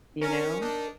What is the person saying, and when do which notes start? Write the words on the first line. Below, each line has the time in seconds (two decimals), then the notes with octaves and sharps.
You know?
0.22 C#4 A#4
0.61 D4 D#4